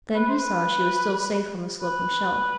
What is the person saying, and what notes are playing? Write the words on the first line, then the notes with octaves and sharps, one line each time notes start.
Then he saw she was still safe on the sloping shelf.
B4
C5
B4
B4